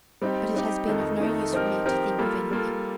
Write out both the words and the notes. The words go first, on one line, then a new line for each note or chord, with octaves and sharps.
But it has been of no use for me to think of anything.
G3 C4 D#4 G4
G3 C4 D#4 G4
F2 D#3 A3 D#4 A4
F2 D#3 A3 D#4 A4
F3 C4 D#4 G4 A#4
F3 C4 D#4 G4 A#4
G3 A#3 F4 A4
G3 A#3 F4 A4